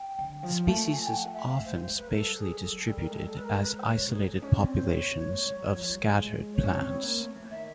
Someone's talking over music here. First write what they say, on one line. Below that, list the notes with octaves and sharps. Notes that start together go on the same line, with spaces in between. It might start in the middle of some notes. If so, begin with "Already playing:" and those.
The species is often spatially distributed as isolated populations of scattered plants.
Already playing: G5
D3
F3
A3 A5
G#5
G5
F#5
E5
F5
G#3 C5
C5
G#3
B4
A#4
G3 A4
G#4
F#3 A4
A4
G3
A#4
G#3 A4
A4
B4
A#4
B4
C5
C5
C#5
G#3 G#4
G#3 A4
C#4 C#5
C4 D5
C#5
C5
B3 C#5
B3
A#3
G#3
G3
F#3
F3
G3
G#3
C#5
C#4
C4
B3
A#3
A3
E3
D#3 E5